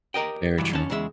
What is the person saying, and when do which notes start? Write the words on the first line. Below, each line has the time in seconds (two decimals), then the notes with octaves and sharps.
Very true.
0.14 G4 A#4 D#5 G5
0.58 C#2 G2 E3 F#3
0.71 D#2 C#4 A5
0.90 E2 C#3 G#3 G4 E5